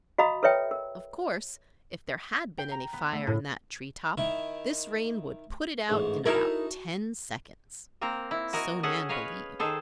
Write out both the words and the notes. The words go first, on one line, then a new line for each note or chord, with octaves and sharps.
Of course, if there had been any fire in that tree-top, this rain would put it out in about ten seconds. So Nan believed.
F#4 D#5 F5 A#5 B5 D#6
A4 B4 C#5 E5 G5
A#4
G5
A#5
B3
A3
A2
D#3 E4 E5
A1 G#2
D#4 E4 F#4 A#4 A5
A#3 C4 A#4 A#5
E4
F#4 A#4 D#5 G#5
C#4 G#4 A4 F#5
B4 C#5 D#5 F5 G#5
D#3 G#4 A4 C5